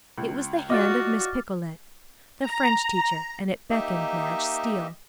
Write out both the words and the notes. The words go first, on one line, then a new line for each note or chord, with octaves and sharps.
It was the hand of Miss Picolet, the French teacher, and it beckoned Madge Steele.
C#2
F4 F#4 D5 D#5 D6 F6 A6
A#5
A#3 D#4 G4 D#5 E5